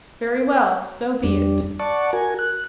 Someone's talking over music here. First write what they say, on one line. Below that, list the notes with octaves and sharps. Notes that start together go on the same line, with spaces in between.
"Very well: so be it."
F2 G3 D4
D5 F#5 A5 C#6
F#4 A#4 G#5
F#6